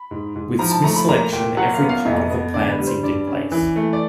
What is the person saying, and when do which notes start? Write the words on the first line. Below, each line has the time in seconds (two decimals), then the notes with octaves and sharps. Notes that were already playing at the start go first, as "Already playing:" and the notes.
With Smith's election, every part of the plan seemed in place.
Already playing: B5
0.11 G#2
0.36 G#2
0.59 F3 A#5
0.72 A5
0.84 A3 A#5
0.96 B5
1.08 A#2 A#5
1.33 A#2 G5
1.57 F#3 F#5
1.74 F5
1.82 B3
1.89 F5
2.05 F2 E5
2.30 B3 D#5
2.54 D3 D5
2.71 B4
2.79 G3
2.87 C5
3.03 G2 D5
3.28 C#4
3.52 E3
3.76 A3
3.93 D5